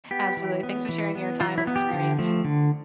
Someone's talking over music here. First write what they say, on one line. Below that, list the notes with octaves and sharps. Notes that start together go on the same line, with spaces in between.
Absolutely, thanks for sharing your time and experience.
B3 G4
E3
B3
E3
B3
E3 F4
E4
B3
G4
D3
F3 A3
D3